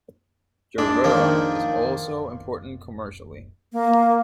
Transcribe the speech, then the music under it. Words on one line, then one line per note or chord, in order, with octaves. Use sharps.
"Gerbera" is also important commercially.
G#3 D4
D#3 F3 A#3
A#3